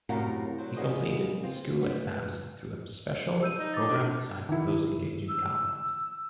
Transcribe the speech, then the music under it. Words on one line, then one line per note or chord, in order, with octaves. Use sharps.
He completed school exams through a special program designed for those engaged in combat.
F#2 A2 C3 F#4 A#4 F5
F#3 C5
A#2 C#3 B3 G#4 D#5
C4 F4
B3
E6 G6 D#7
D#4
D6 A6
D3
D#3 E4
E6